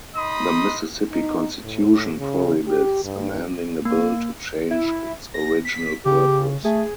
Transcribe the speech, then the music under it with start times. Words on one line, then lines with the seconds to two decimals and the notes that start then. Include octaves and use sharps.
The Mississippi Constitution prohibits amending a bill to change its original purpose.
0.16 D#4 D#5 B5 C6 D#6
1.12 D#4
1.64 A2
2.19 C#3
2.68 G4
3.05 G2
3.85 A#3
4.71 E4
5.34 A#6
5.65 B6
6.06 C#3 G4
6.65 A3 G#4